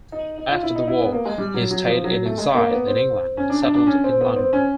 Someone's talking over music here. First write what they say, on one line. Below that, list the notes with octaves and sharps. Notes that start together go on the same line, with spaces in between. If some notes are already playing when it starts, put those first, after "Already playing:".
After the war he stayed in exile in England and settled in London.
D#4
D#4
F4
E4
D#4
E4
B3
A#3
G#3
G3
F#3
F#3
F3
F#3
A3
G#3
A#3
B3
C4
C#4
D4
D4
D4
C#4
C4
B3
C4
C#4